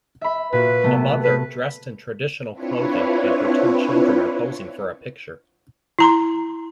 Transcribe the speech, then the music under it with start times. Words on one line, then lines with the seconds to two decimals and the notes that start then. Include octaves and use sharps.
A mother, dressed in traditional clothing, and her two children are posing for a picture.
0.21 E5 B5
0.53 A#2 F#4 B4
0.84 C3 A3 B3
1.22 B4
2.51 C4 D4 E4 F4 B4 C#5
5.99 E4 A#5 C6